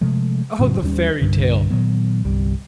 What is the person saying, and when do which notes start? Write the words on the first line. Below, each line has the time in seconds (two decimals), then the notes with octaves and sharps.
"Oh, the fairy tale!"
0.01 C3 F3 G#3 A3
0.59 F1 A2 C#3 F#3
0.83 D#2 D#3 G3 C#4
1.22 C2 G2 D3
1.70 A#2 D#3 F#3 B3
2.24 G1 C2 G3